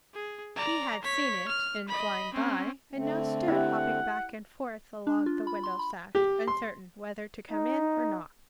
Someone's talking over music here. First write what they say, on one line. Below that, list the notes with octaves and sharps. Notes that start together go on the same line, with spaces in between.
He had seen it in flying by, and now stood hopping back and forth along the window sash, uncertain whether to come in or not.
G#4
D5 A#5
C#5 B6
F6
D#5 B5
C4 C#4
D3 A3 C4
E4 G4 F#5
D4
F4
B5
C6
B5
G4
C6
D#4